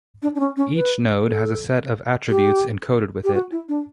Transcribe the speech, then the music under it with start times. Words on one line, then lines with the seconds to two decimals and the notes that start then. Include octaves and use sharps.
Each node has a set of attributes encoded with it.
0.23 D4
0.35 D4
0.40 C#4
0.57 C#4
0.75 B4
1.27 A4
2.30 G4
3.24 G4
3.34 F#4
3.51 E4
3.69 D4